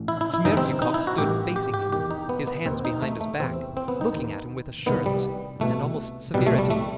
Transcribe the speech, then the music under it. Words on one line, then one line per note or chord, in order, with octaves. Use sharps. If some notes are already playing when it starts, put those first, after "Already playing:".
Smerdyakov stood facing him, his hands behind his back, looking at him with assurance and almost severity.
Already playing: A1 A2
E4
E4
E4
G1 G2 E3 D#4
C4
D#4
E4
F#4
A1 G2 D#3 G4
G4
G4
E2 D#3 G4
D#4
B3
B3
D#2 D#3 C4
D#4
A3
A3
E2 C3 E3 C4
C4
B3
D#4
D#2 D#3
C2 C3 D#3 B3
G3
C2 B2 A3
C2 B2 G3
A3
G3
A3